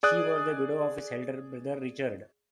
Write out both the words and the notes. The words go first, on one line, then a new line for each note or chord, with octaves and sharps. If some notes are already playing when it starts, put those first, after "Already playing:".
She was the widow of his elder brother Richard.
G#4 D5 D#6 F#6